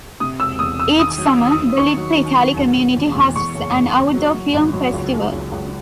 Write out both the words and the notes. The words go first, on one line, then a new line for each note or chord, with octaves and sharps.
Each summer, the Little Italy community hosts an outdoor film festival.
C3 D#6
E1 E6
E2 D#6
E1 E6
D#3 D#6
F#3
E6
D#3
D#6
D#2
D#3 C#6
F#3
D#3
F#3
E1
E1
E2
E2
E2 C#6
F#1
E2
F#1
F#3
F#3
G#1
F#3
C#2
C#2
C#2
C#2